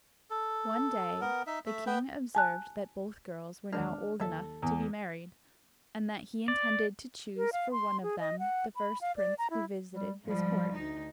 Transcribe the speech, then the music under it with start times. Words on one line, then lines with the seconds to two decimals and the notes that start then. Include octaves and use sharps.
One day the king observed that both girls were now old enough to be married, and that he intended to choose for one of them the first prince who visited his court.
0.30 A4
1.21 B3 A#4
1.47 D#4 E5
1.66 A3 E5
1.86 B3 B4 G5
2.35 G#5 A5 F#6
3.73 E2 D#3 G#3 D4 F6
4.20 D#2 F#3 A4 E5 A5
4.62 E2
6.48 D5
7.37 A#4
7.53 F5
7.72 C6
8.03 G#4
8.19 D#5
8.39 F#5
8.76 B5
9.01 F5
9.17 D5
9.38 A#5
9.51 E4
9.92 G3
10.24 G#2 F3 G3
10.75 D2 D#4